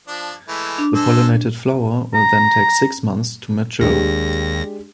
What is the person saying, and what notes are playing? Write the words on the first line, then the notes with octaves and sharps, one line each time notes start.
The pollinated flower will then take six months to mature.
F3 D4
E3 G#3 A3
D4
G#3 A4 C5
A#5
D#2 G#3 D4 G4 A#6